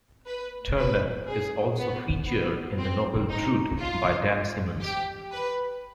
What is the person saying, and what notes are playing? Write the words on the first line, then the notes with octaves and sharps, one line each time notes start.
Ternan is also featured in the novel "Drood" by Dan Simmons.
B4
B4
G#4
B3
B3
C4
D#4
F4
G4
B4